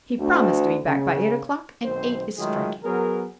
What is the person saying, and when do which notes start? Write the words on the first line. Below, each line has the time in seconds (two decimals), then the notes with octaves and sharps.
He promised to be back by eight o'clock, and eight is striking.
0.20 D2
0.86 C#3
1.84 B1 D#3 C4 C5
2.38 D#3 F#3 G#3 A3 F4 G#4
2.83 F#3 B3 G#4 A#4